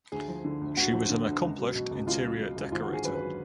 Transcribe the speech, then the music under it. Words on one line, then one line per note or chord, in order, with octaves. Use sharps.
She was an accomplished interior decorator.
D2 G#4
F3
D3
D2
D2 F#4
F3
D3
D2
C#2
F#3
B2
C#2
C#2 F4
F#3
B2
C#2
G#1 F4
F#4
D3
G#4
F#2 B4
B4
F#3